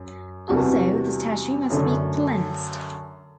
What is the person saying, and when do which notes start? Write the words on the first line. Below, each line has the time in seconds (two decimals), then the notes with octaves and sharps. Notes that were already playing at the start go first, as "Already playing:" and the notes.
Also, the statue must be cleansed.
Already playing: F#2
0.49 E2 C3 G3 D4 F#4
1.70 F#2 D3 A3 D4